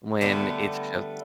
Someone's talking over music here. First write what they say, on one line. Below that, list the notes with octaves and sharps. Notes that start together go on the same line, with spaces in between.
when it's just
D3 G3 A3 B3